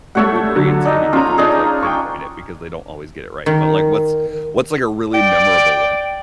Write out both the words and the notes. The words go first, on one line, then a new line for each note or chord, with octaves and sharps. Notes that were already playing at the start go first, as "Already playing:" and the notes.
Uber Eats, it could be difficult to, like, pinpoint it, because they don't always get it right, but, like, what's what's, like, a really memorable one?
G3 A3 A4 C#5 F#5
D3 F#3
D4 D#4 D#5
C#4 F4 A#5
D4 D#4 G#4
G5 C#6
D#3
D5 G5